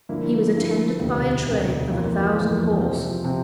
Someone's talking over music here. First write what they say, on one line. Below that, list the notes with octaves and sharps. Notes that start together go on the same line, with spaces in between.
He was attended by a train of a thousand horse.
G2 D3 F3 A#3 E4
G2 D3 F3 A#3 E4
E1 D2 C3
E1 D2 C3
F2 E3 A#3 F4
F2 E3 A#3 F4
C3 F3 C4
C3 F3 C4